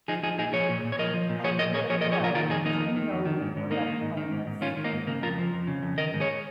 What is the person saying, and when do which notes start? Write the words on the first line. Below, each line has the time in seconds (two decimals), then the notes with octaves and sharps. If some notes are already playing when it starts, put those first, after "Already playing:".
After the flood, two million were left homeless.
0.08 F3 D#4 G#4
0.23 F3 D#4 G#4
0.38 A#2 D#4 G#4
0.53 F3 G#4 C#5
0.69 A#2
0.85 A#2
0.92 C#5
0.99 F3 A#4 D#5
1.14 F3
1.29 A#2
1.44 F3 G#4 C#5
1.59 A#2 A#4 D#5
1.74 A#2 G#4 C#5
1.90 F3 G#4 C#5
2.01 A#4 D#5
2.05 F3
2.12 G#4 C#5
2.19 A#2 F4 A#4
2.35 D#3 F4 A#4
2.50 F2 D#4 G#4
2.65 F2 A#3 D#4
2.81 D#3
2.96 D#3
3.11 F2
3.26 D#3
3.42 G#2
3.57 G#2
3.71 D#3 A#3 D#4
3.87 D#3
4.02 G#2
4.17 D#3
4.31 G#2
4.47 G#2
4.61 D#3 C#4 F4
4.77 D#3
4.84 A#3 D#4
4.92 G#2
5.07 C#3 A#3
5.23 F2 F4 A#4
5.38 F3
5.53 F2
5.67 C#3
5.82 F2
5.97 D#3 A#4 D#5
6.14 G#2
6.20 G#4 C#5